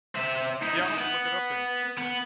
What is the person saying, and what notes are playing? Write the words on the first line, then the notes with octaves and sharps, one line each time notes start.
Yeah, I'll have to look it up then.
C4 E5
D#4 E4
B3
B3